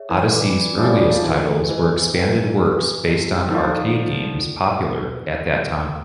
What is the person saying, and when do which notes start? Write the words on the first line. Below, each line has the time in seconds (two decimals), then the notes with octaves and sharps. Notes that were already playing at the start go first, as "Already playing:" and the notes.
Odyssey's earliest titles were expanded works based on arcade games popular at that time.
Already playing: G#4 C#5 E5
0.09 E3
0.32 B4 D5 G5 B5 D6
0.77 F3 G3 C#5 E5 G#5 B5 D6
0.88 F3 G3
0.94 F#3
0.99 F3 G3
1.11 D#3 F3
1.23 E3 G#4 B4 D#5
1.68 E3 C5 D#5 G#5
2.14 E4 G#4 B4 D5 G5
2.60 D4 G4 B4
3.05 E4 G4 A#4 D#5
3.50 D#3 F3 E4 A4 D5 F#5